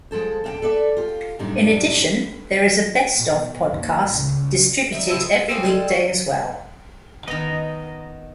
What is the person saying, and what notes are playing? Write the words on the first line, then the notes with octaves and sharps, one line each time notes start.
In addition, there is a "best-of" podcast distributed every weekday as well.
F3 G#3 A4 C5
A4 F5 G5
A4 B4 D5 E5
F4 G4
F#2 A2 C3 G3 D4 D#4
B4
B2
D#2
C#2
D#4 E5
C3 E4 D#5 A5
G#3
E3 F3 C4 G#4
G3 G#3 A4
F#4
D#3 B3 D#5 A#5